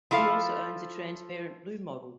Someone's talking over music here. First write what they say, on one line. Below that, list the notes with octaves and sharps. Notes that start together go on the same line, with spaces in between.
He also owns a transparent blue model.
F3 E4 A4 F5